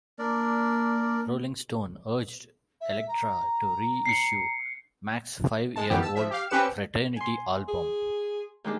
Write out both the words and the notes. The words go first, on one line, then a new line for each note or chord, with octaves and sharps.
"Rolling Stone" urged Elektra to reissue Mack's five-year-old Fraternity album.
A#3 D4 A#4 D5
E5
A#5
C7 C#7
G#3 A5
F#2 D#3 E3 B3 G4
A5 E6
F3 E5
G4 F5
C4 C#4 G4 B4 C#7 E7
G#5 C6
G#4
D#2 G#3 D4